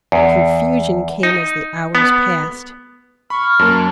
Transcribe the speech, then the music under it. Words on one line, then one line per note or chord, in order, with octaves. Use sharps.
Confusion came as the hours passed.
E2
D#4
B3
B5 C#6 F6
F#2 A#3 A5